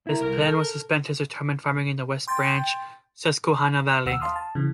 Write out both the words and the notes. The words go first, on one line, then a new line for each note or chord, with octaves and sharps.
His plan was to spend his retirement farming in the West Branch Susquehanna Valley.
E4 A#4
C2 A#4
A4
G5 C6 G6 A6
D#2 F#5 E6
F5 A5 C6 D#6 F6
A5
C#3 E3